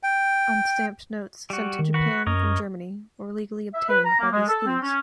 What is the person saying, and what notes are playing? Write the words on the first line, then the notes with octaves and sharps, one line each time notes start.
Unstamped notes sent to Japan from Germany were legally obtained by these thieves.
G5
G3 F#4
D#3
F#4 B4
F#2 A#4 C#5 D#5
E5
B4
A#5
A#3
G#3
A4
C4
C#4